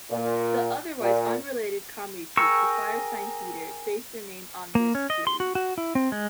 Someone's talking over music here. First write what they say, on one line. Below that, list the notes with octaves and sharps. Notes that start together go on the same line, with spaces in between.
The otherwise-unrelated comedy troupe The Firesign Theatre based their name on this series.
A#2
A#2
G#4 A#4 G5 C#6 E6
A#3
C#4
D#5
C6
F#4
F#4
E4
C4
G#3